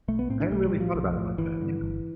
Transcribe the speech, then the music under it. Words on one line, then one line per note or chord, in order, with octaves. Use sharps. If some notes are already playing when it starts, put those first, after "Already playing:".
I hadn't really thought about it like that. Yeah.
B1 A3
B3
A2 C4
D4
B1 A3
G3
A2
F3
B1 F3
A2
G1 E3
G2 D3
G1